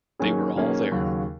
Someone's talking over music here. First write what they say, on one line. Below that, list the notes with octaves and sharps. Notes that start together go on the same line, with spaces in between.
They were all there.
D#3 F#3 A#3 C#4 G#4
D#3 F#3 A#3 C#4 G#4
D#2 C#3 F#3